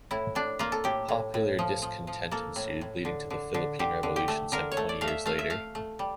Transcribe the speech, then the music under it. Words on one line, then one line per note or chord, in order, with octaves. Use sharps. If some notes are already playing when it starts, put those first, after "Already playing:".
Popular discontent ensued, leading to the Philippine Revolution some twenty years later.
A2 E4
A2 D4
A#3 F4
A4
A2 G4
A2
A2
F3
F3
F3
A#3 A4
A2
A2
D3
D3
D3
D3 G4
D3
G4
A3
D3 A#4
C#5
A3
D5
A3 F5
E5
A3 F5
E5
A3 F5
A3
G3